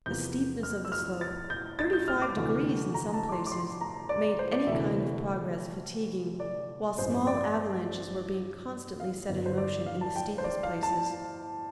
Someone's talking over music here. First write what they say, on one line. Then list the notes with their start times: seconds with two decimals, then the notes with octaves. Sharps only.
The steepness of the slope--thirty-five degrees in some places--made any kind of progress fatiguing, while small avalanches were being constantly set in motion in the steepest places.
0.06 E2 C3 F3 A#3 G6
0.63 F6
0.85 E6
0.92 F6
1.21 A6
1.50 G6
1.79 A6
1.93 G6
2.08 F6
2.22 D6
2.36 D2 C3 E3 A3 D4
2.94 A#5
3.14 A5
3.29 D6
3.32 C6
3.46 D6
3.52 C6
3.81 A#5
4.09 D5
4.39 C5
4.53 D5
4.67 D2 C3 E3 A3 E5
6.40 D5
6.98 A1 G2 F3 C4 C5
7.27 D5
9.00 F5
9.29 G1 G2 D3
9.46 C5
9.58 D5
9.86 F5
10.01 A5
10.16 G5
10.38 C5
10.44 D5
10.63 F5
10.83 A5